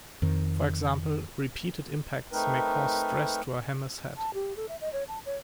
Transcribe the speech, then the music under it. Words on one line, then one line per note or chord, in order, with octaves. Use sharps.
For example, repeated impacts may cause stress to a hammer's head.
F2 D#3
A3 C4 D#4 A#4 B4
A5
G4
A4
E5
D#5
C#5
A5
C#5